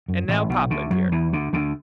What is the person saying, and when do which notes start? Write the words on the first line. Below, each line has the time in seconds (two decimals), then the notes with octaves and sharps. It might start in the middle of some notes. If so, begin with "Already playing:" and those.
And now Papa appeared.
0.08 F#2
0.28 A1 A2
0.49 B1 B2
0.70 D2 D3
0.91 F#2 F#3
1.12 E2 E3
1.32 D2 D3
1.53 D2 D3